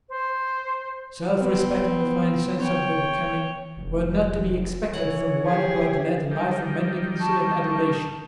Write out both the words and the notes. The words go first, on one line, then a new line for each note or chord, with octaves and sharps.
Selfrespect and a fine sense of the becoming were not to be expected from one who had led a life of mendicancy and adulation.
C5
B3 C4
C#5 G5
F1
E3 C#5 F#5
G4 G#4
D#3 G3
A5 C#6